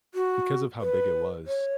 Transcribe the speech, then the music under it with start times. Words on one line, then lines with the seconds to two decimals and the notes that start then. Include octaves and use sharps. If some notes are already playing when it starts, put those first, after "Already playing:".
because of how big it was
0.15 F#4
0.81 B4
1.47 C#5